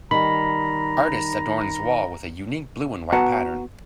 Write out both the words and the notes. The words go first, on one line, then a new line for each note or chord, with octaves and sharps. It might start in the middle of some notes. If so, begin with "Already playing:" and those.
Artist adorns wall with a unique blue and white pattern.
D#3 G3 A#5 B5
B3 F#4 B4 F#5 A5 A#5